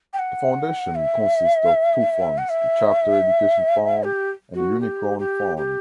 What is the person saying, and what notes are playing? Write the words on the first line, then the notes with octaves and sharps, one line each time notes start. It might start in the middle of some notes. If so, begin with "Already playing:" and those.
The Foundation consists of two Funds, the Chapter Education Fund and the Unicorn Fund.
G5
F#5
E5
F#5
E5
G4
F#4
G4
G4
G4